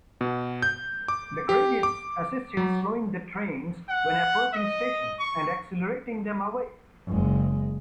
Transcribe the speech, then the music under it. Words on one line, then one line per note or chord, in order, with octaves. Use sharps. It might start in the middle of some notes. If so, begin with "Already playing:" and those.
The gradients assist in slowing the trains when approaching stations, and accelerating them away.
B2
G6
D6
G4
D6
F#3
F#5
D#5
C#6
F#1 G#3